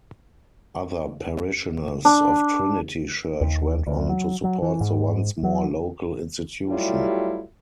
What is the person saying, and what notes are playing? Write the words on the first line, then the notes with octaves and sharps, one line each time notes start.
Other parishioners of Trinity Church went on to support the once more local institution.
D4
D#2
D2
F#3
F#3
E3
G#2
F#3
F#3 G3 A3 E4 F4 G4